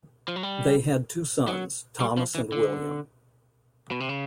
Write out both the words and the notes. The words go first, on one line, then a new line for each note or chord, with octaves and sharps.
They had two sons, Thomas and William.
F3
F#3
G3
F#3
G3
F3
E3
D3
B2
C3
C#3